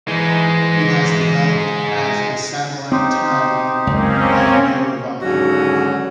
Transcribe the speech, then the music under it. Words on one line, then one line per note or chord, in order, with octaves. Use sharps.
It has developed as a satellite town of Yerevan.
E3 G#3 D#4
C4 D#4 G4 C5
F#1 C#2 A#3 C4 C#4
D#2 G#2 D3 F#3 C#4 F#4